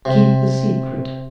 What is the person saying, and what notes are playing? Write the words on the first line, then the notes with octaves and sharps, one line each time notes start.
Keep the Secret.
C3